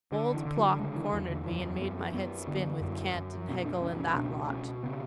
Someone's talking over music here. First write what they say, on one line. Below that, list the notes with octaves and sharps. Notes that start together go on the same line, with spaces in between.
Old Plock cornered me and made my head spin with Kant and Hegel and that lot.'
D3
E3
D3
F#3
C#3 G#3
E3
E2 E3
D3
F#2 E3
F#2 B3
F#2 B3
D3
F#2
F#2
B2 C#4
D4
C#2 C#4
C#4
B2 D4
B2 C#4
C#3 B3